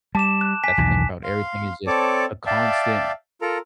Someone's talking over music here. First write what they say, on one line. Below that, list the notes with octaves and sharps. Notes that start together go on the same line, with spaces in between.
That's the thing about everything is just a constant
G3 A5 D6 E7
F#6
G#5 B6
B1 E2 D#3
F5 C6
C4 A4 C#5 D5 A5 D6
D5 E5 F5 G5 A5
F4 A4 A#4 A#5